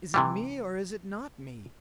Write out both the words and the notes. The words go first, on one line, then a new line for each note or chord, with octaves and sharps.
'Is it me, or is it not me?
C3 E3 G3